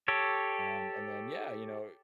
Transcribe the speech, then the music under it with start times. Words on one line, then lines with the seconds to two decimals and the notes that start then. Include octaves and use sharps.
Um, and then yeah, you know,
0.08 G4 A4 C#5